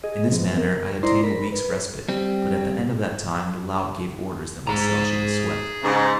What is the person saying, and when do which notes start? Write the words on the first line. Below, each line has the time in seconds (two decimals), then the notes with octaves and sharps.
In this manner I obtained a week's respite, but at the end of that time the lout gave orders that my cell should be swept.
0.04 G#4 D#5
0.32 F3 B3 C4
0.58 A#4
1.03 D#4 E4 C5 D5 A#5 C6
1.23 A#4 B5
1.52 B4
2.09 G3 C4
4.67 G#2 G#4 A#5
5.83 G#2 C#3